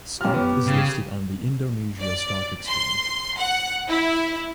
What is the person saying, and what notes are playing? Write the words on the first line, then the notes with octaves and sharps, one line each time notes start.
Stock is listed on the Indonesia Stock Exchange.
F#2 F4 G4 F6
B3 G4
C#3
D5
C6
F#5
E4